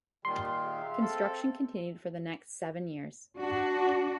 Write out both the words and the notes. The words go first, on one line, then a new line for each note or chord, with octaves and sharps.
Construction continued for the next seven years.
A#2 D#3 G3 C6
G#4 E5 F5
C4 A4
D4 F#4